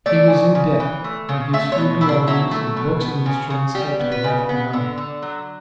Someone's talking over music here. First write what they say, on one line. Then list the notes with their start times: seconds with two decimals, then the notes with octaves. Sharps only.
He was in debt, and his few belongings in books and instruments had to be left behind.
0.06 A3 D5
0.30 C#3
0.55 C#3
0.80 E3
1.04 A3
1.29 C#3
1.53 A3 E5
1.72 C#5
1.78 B2
2.01 B2 E4
2.09 D4
2.27 F#3 E4
2.51 A3
2.76 B2
3.01 B3
3.26 C#3
3.50 C#3
3.75 G3 G4
3.99 B3
4.12 B4
4.24 C#3
4.49 B3
4.73 D3
4.98 D3
5.22 F#3